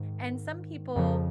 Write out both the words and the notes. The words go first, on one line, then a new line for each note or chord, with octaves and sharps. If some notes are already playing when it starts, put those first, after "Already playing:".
And some people
Already playing: G#2 D#3
F2 C#3 F3